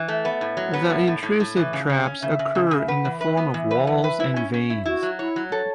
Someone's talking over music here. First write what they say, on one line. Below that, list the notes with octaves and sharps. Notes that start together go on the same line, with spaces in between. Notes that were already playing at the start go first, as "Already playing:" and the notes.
The intrusive traps occur in the form of walls and veins.
Already playing: E3
A3
B3 E5
A2
F#3
B3
A2 E5
A2
A2
A2
E3
C#3
C#3
C#4
C#3 E5
C#3
C#3
C#3
E5
B4 F#5
E3
B4 E5
B3
E3 E5
B4
E3
B4
E4
C#4
C#4
E4
E4 F#4
F#3
E4 C#5
F#3
A4 C#5